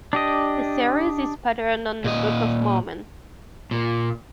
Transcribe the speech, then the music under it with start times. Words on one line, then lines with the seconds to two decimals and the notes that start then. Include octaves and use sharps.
The series is patterned on the Book of Mormon.
0.13 D4 G4 D#5
2.04 A#2 D#5
3.71 A#2